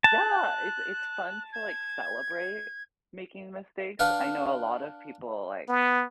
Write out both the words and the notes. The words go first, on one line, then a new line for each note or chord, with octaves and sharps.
Yeah, it's it's fun to, like, celebrate making mistakes, I know a lot of people, like,
A5 F#6
G#6
D4 B4 F5 F#5
B3